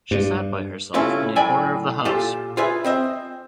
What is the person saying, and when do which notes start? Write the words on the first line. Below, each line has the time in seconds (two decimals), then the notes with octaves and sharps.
She sat by herself in a corner of the house.
0.11 G2
0.94 G2 C#3 A3 C#4 E4 F4
1.36 A2 F#3 D5 G5 G#5 B5
2.05 A#2 F4 G4 A4 F5
2.57 F4 G#4 B4 E5
2.84 C4 D#5 E5